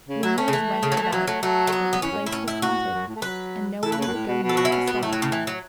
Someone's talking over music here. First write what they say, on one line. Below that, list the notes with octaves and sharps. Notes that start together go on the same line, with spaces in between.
Rumours went about that the place was haunted, and no one would go near the spot.
C#3
F#3 E4
A3 C#4
C#3
E3
C#3
F#3
E3
A3
E3 F#3
F#3 A3
F#3 A3
A3
B3
B3
E3 C#4
F#2
A2
E4
C#4
E4
F#4
F#2
A2
A3
F#3 B4
E3 A4
B4
C#3
F#2 B4
A2
B2
B2
A4
F#4
E4
C#4
B3
B2
A2 A3
F#3
C#3
E3
F#3